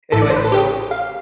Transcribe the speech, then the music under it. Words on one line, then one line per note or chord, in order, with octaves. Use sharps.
anyway, so,
A1 A2 E3 A4
D5
C5
B4
A4
G4
F5